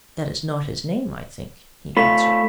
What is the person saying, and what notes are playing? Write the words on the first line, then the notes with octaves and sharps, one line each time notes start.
"That is not his name, I think," he answered.
A3 F4 B5 B6